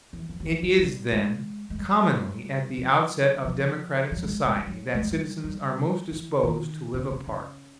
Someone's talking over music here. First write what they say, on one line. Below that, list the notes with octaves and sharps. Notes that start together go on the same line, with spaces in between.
It is, then, commonly at the outset of democratic society that citizens are most disposed to live apart.
E3
F3
F#3
F3
F#3
G3
G#3
G#3
G3
F#3
F3
F#3
G3
G#3
G#3
G3
F#3
A3
G#3
G3
G3
E3
D#3
C#3
C#3
C#3